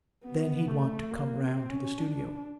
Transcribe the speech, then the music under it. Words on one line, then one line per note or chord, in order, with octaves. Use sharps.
'Then he'd want to come round to the studio.
B3
A3
A#3
C4
C#4
D4